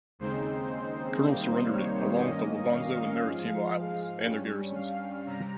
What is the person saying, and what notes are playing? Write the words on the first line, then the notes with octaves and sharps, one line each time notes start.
Colonel surrendered it along with Levanzo and Marittimo Islands and their garrisons.
D#2 C#3 G#3 C4 D#4 C5
C3 D#3 G3 A#3 D#4
C#5
G2 D#3 A#3 C#4 D#5
F5
G#2 F3 G#3
G2 G3 C#4
F5
C3 G3 A#5